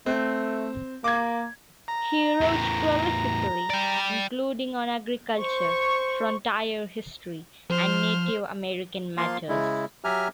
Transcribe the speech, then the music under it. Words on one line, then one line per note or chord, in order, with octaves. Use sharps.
He wrote prolifically, including on agriculture, frontier history and Native American matters.
A3 C4
A#3 D6 G#6
A#5
E2 A2
G4 D5
C5 C#6
F3 C5 F6
F3 A#3 F4 F5 C6
C#3 G#3 E4
F#3 G4 E5 G#5 A#5 F6